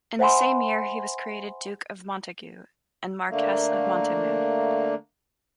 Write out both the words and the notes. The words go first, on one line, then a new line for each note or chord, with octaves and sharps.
In the same year he was created Duke of Montagu and Marquess of Monthermer.
C5 E5 F#5 G#5 B5 C6
D3 A3 A#3